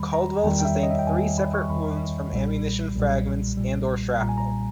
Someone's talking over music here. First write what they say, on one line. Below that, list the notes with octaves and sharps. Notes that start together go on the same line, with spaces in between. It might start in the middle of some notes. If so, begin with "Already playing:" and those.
Caldwell sustained three separate wounds from ammunition fragments and or shrapnel.
Already playing: E2 D#3 G3 B5
A#5
E2 D#3 G3 G5
G5
E5
C#5
D#5
E5
G5
E2 D#3 G3 G#5
B5
C#6
E2 D#3 G3 B5
B1 A#2 G3
B1 A#2 G3
B1 A#2 G3
B1 A#2 G3 A#5
G#5
A#5